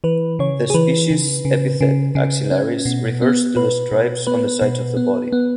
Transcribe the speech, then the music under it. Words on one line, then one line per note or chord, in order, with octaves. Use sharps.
The species epithet "axillaris" refers to the stripes on the sides of the body.
E3 B4
C#3 C#5
G#4
E3 B4
C#3
C#3
C#3
C#3
C#4
B2
B3
B2 B4
B2
B3 B4
B2
B3
B3